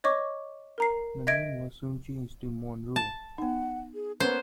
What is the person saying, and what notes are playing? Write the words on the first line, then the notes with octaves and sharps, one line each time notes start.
The name was soon changed to Monroe.
C#5 D#5 C#6 D6
A#4 A#5 C7
D#5 E5 G#6 A#6 D7
A5
B3 D#4 F#5
G#4
A#3 B3 C#4 B4 C5